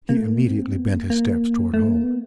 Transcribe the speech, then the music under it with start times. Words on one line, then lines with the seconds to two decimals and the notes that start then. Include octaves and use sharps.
He immediately bent his steps toward home.
0.09 A#3
0.17 A3
0.32 A#3
0.48 C4
0.79 B3
0.95 A#3
1.10 A#3
1.74 A3
1.89 A#3
2.04 B3